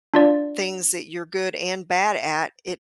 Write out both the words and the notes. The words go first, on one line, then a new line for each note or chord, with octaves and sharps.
things that you're good and bad at it
D4 F4 D5